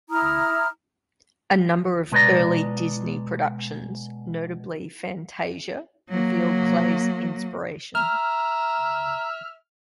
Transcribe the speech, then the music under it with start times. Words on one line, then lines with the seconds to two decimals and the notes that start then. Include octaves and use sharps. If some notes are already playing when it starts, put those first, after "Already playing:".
A number of early Disney productions, notably "Fantasia", reveal Kley's inspiration.
0.10 E4 A#5 D#6 F6
2.12 B2 G#3 B4 C5 D5 A#5
6.10 F#3 A#3
7.95 E5 A#5 F6